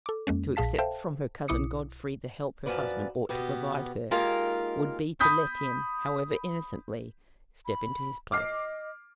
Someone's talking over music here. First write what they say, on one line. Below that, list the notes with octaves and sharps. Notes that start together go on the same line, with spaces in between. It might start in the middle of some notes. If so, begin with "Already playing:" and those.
To accept from her cousin Godfrey the help her husband ought to provide her, would be to let him, however innocently, step into his place!
A4 D6
F2 G#3 A#3 C#4
A#1 A#2 G#4 F5 A5 B6
A4 C5 E5 F5 G5 A5
B1 B2 E4 D6 D#6 C#7
F#2 B2 F3 B4 D5
B2 B3 G4
G#3 A#3 D#4 F4 G4 A#4
B5 D#6 G6 B6
B5
D#5 D6 F6 C7